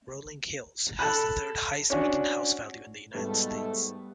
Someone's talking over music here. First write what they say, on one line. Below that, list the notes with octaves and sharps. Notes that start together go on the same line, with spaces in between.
Rolling Hills has the third highest median house value in the United States.
A4 A5 B5 F#6
C#4 D4 F#4
G#2 B2 G3 A3 B3 B4